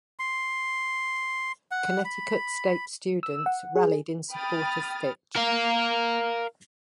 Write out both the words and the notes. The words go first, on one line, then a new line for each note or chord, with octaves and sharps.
Connecticut State students rallied in support of Fitch.
C6
F#5
B5
E6
F#5
G#4
G5 B5 D#6 F6 A6
A#4 F5